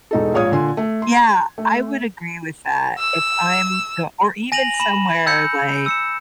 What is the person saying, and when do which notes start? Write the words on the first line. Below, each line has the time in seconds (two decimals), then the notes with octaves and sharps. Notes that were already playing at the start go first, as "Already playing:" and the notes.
Yeah, I would agree with that. If I'm go or even somewhere like
0.11 E1 D#4 A4
0.34 A#1 G#2 C#5 F5 D#6 G#6
0.51 A#2 D3 G#5 C6
0.77 A3
1.02 C6
1.58 A3
2.99 E6
4.52 G#5 A#6 D#7 F7 F#7
4.80 B5 E7 F#7
5.26 E6 G6 C#7
5.86 E6 C#7 E7